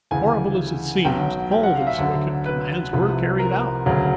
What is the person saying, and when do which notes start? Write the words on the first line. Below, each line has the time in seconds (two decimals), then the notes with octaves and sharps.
Horrible as it seems, all these wicked commands were carried out.
0.11 D2 C#3 E3 G#5
1.05 B1 B2 F#3 G5
1.51 G5
1.63 F#5
1.75 F5
1.87 E5
1.98 D2 D3 F#3
2.46 B4
2.93 C2 C3 F3
3.39 A#4
3.86 E1 D2 C#3 F#3